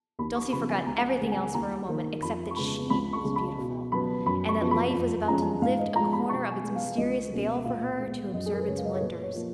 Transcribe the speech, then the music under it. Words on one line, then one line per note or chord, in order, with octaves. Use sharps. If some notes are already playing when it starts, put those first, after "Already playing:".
Dulcie forgot everything else for a moment except that she was beautiful, and that life was about to lift a corner of its mysterious veil for her to observe its wonders.
D#2 B5
C#6
C#3 F3 B3 B5
G#5
C#2 A#5
F#5
G#5
C#3 G#3
G#5
D#2 A#5
D#3 A#3
F2 B5
C#6
C#3 G#3 B3 B5
C#2 B5
C#6
C#3 G#3
B5
B2
F#3 B3 B5
F#2 B5
C#6
F3 B3
B5
F2
F3 G#3 C#4 A#5
G#2 F5
D#5
F3 G#3 A#5
B5
B2 C#6
G#5
G#3 B3
F5
C#2 D#5
B2 A#3 C#4
A#2 F5
G#3 B3
F#2 D#5
G#4
A#4
B4
C#3 G#3 C#5
F5
D#5
C#5
A#2 B4
C#5
F3 A#3